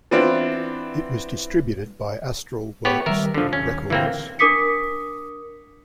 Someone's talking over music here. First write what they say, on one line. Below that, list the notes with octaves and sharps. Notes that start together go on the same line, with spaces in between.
It was distributed by Astralwerks Records.
E3 B3 C4 D4 E4 F4
B3 G4 C#5
D#3 E3 G3 A#4 E5
D#1 B1 D3 F3 D4
D#2 C#4
A#1 D3 E3 A#3 C4
D4 A#4 D6 D#6 B6 C#7